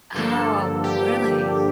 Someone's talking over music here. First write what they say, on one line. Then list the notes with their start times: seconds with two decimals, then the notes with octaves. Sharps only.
Oh, really?
0.14 G2 D3 F3 A#3 D4 A4
0.84 G4